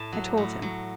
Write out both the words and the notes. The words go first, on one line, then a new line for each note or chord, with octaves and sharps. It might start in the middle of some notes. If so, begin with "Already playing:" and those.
I told him.
Already playing: A2 A3 A5
F#3
A2
F#3